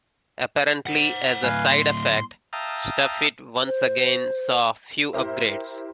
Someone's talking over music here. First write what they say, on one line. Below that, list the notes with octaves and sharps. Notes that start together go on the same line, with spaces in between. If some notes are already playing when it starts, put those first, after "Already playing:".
Apparently as a side-effect, StuffIt once again saw few upgrades.
C5 F#5
D2 A2 B4 F5 G#5
C6
E5 F5 G5 A5 A#5 D#6
C5
E4 G4 A#4 C5 E5